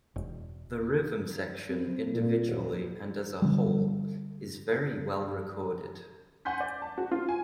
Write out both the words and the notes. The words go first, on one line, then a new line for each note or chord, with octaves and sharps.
The rhythm section, individually and as a whole, is very well-recorded.
E1
C4
A#2
D#1
D3 G3
F#5 G#5 C6 G6 B6
D5
A5
F#4
F4
G#5